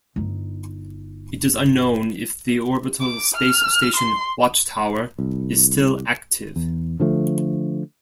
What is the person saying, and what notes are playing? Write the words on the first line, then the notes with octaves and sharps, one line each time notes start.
It is unknown if the orbital space station Watchtower is still active.
G1 D#4
D6
F6
C6
C2
E2
D3 F3 A3